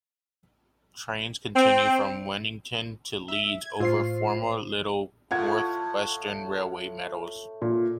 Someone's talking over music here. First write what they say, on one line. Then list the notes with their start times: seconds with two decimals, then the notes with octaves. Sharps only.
Trains continue from Wennington to Leeds over former "little" North Western Railway metals.
1.55 C4
3.28 E5
3.61 G#6
3.80 A2 F4 C5 C7
5.31 A2 F4 F#5 G#6
7.62 A#2